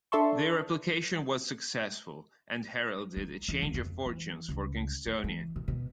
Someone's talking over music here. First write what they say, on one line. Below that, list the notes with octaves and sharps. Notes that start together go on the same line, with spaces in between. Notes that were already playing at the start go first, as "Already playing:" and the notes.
Their application was successful, and heralded a change of fortunes for Kingstonian.
D4 A4 E5 A5 C6 C#6
D#4
E2
C#2
F2
E3
C#2
G#2
E3
B2
B2